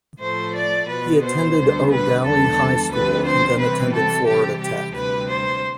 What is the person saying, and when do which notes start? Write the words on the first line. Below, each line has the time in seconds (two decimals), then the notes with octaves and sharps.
He attended Eau Gallie High School and then attended Florida Tech.
0.20 A2 F3 A3 C5
0.54 D5
0.88 B2 B3 B4
1.22 C5
1.56 D2 D3 G3 B3
1.90 B4
2.24 E2 D3 G3 A4
2.91 D2 D3 F3 C4 B4
3.26 C5
3.59 C3 E3 G3 C4 B4
3.93 A4
4.27 C3 E3 G3 G4
4.61 G4
4.95 D2 C3 G3 B4
5.29 C5